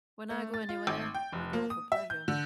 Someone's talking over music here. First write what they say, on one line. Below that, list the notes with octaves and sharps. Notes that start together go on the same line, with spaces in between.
When I go anywhere, I go for pleasure.
A3
A6
F4
G#1
G5
F1
A#3
D#6
E5
G6
D3